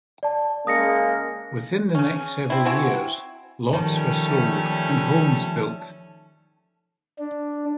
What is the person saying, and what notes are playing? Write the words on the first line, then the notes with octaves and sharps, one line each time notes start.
Within the next several years, lots were sold and homes built.
D5 A5
C#3 G#3 A#3 D#6 A#6 C#7
C#3 C#4
C4 E4
C4 E4 F#4 G#5
D#3 F3 G3 A3 C#4 A5
D4